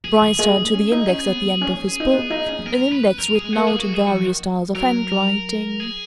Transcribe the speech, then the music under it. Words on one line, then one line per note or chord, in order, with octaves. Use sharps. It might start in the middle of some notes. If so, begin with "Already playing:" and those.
Bryce turned to the index at the end of his book--an index written out in various styles of handwriting.
C#3 G#4
D#3
G#3
G#3
D#4
C#4
D#4
C#4 G#4
B3
B3
C#4
D#4
C#4
D#4
B3
D#4
C#4
C#4
B3 A#4
B3
C#4 B4
C#4
C#4 A#4
B3 G#4
G#3
A#3 F#4
A#3 G#4
G#3 F#4
F#3 G#4
F3 F#4
D#3
D#3
F3
F#3 A#4
G#4